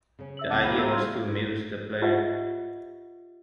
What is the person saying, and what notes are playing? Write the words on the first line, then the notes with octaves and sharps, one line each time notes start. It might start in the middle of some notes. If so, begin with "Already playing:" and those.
The idea was to amuse the player.
C#3 C#4
E5 E6 F#7
C#2 C4 F#5 A5 D6 D#7
E3 G#3 F5 G5 A#5 B5 D#7
E5 E6
G3 C4 F4 F6 G#6
F4 G4 B4 D#5 E5 F#5